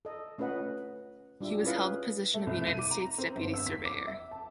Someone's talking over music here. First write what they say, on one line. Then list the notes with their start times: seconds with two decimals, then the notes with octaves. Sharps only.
He was held the position of United States Deputy Surveyor.
0.05 A4 D#5
0.38 A3 C#4 F4 B4 D#5 F#5
1.41 G3 D4 F4 G4 E5
1.63 C#4 E4 F4 G#4 B4 F5
2.34 A3
2.47 C2
2.67 D#7
2.79 D6
2.91 A#5
3.18 C4
3.36 G1
3.54 E6
3.67 B6
3.85 D6
4.07 E5
4.31 A5